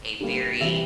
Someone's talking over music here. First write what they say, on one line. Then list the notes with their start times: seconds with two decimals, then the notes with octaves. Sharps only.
a very
0.20 D3 G3 A#3
0.60 C3 E3 G3 C4 E5